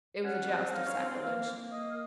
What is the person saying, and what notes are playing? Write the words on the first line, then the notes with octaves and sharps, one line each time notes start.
It was a joust of sacrilege.
C#4 F#5
A#3
C4
D#4 F5
C#4
C4
C4
A#3 F5
A#3
D#5